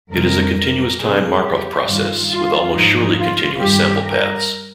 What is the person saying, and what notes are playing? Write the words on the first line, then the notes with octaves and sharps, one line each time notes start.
It is a continuous-time Markov process with almost surely continuous sample paths.
F2 C3 D#3 G3 A#4
A#4
F2 C3 G3 G#4
G4
G2 D#3 G3 F4
F4
G#2 F3 D#4
F4
G2 D#3 G3 G4
A#4